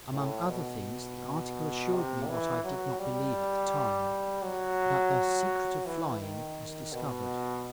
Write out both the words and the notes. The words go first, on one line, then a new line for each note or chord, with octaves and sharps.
Among other things, the article assured me what I did not believe at the time, that the "Secret of Flying," was discovered.
A2
B2
C3
E3
F#3
G3
F#3
E3
D#3
B2